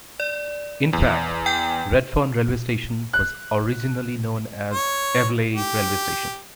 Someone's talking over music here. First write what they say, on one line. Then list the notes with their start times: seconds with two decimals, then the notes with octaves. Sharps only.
In fact, Redfern railway station was originally known as Eveleigh railway station.
0.20 D5
0.93 E2
1.46 G5 G#5 G6
3.13 F#6
4.73 C#5
5.55 G4